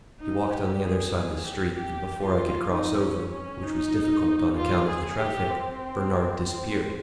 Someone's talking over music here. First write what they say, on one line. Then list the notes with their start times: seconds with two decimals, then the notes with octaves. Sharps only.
He walked on the other side of the street, and before I could cross over, which was difficult on account of the traffic, Bernard disappeared.
0.20 D#4
0.51 G4
0.82 G#4
1.13 G#4
1.44 G4
1.76 G4
2.22 F4
2.69 D#4
3.00 C#4
3.31 C#4
3.62 D#4
4.56 F4
4.88 G#4
5.18 G4
5.49 C4
6.43 C4